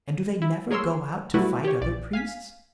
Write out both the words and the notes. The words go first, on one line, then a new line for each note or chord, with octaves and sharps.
"And do they never go out to fight other priests?"
E4
G#4 A#4 C#5 C6 E6
F#3 G3 A3 E4 F#4 B4
G4 C#5
A#1 D5
F5 G#5 B6